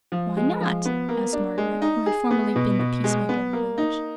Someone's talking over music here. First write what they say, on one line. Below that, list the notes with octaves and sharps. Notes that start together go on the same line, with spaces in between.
'Why not?' asked Margaret, who had formerly been the peacemaker of the village.
F3
G#3
F3
B3
A#3
D4
G#3
D#4
G#4
B3
B2
B2
G#3
B3
A#3
D#4